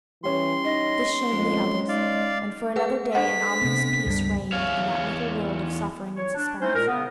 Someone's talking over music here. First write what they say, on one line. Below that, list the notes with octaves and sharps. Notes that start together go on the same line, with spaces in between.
This shamed the others, and for another day an ominous peace reigned in that little world of suffering and suspense.
E3 G3 C#4 C6
D#4 D#5
F2 G#3
D#4 D5 F5
G#4 B4 F#5
D4 A4 C5 F#5 B6
C3 B3
C#2 G2 G3
E2 C#5 F5
C#5
D4
A3 C4 C#4 D#4 E4 C5
A#2 G#3 A#4
C#3 B3